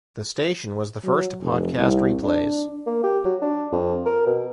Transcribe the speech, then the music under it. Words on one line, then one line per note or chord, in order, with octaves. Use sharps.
The station was the first to podcast replays.
F#3
F1
C2
D4
A#3
G4
F#3
D4
F2
A#4
B2